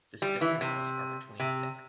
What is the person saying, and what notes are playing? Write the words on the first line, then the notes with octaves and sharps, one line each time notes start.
The stone walls are between thick.
G3
E3
C3
C3